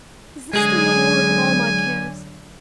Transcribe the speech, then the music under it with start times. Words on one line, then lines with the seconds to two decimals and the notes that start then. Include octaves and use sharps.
Is this the reward of all my cares?
0.53 D3 F#3 G#3 G#4 G#5